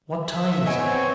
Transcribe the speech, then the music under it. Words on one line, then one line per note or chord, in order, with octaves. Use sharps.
"What time is it?"
E5
B3 C4 C#5 D#5 G#5 D7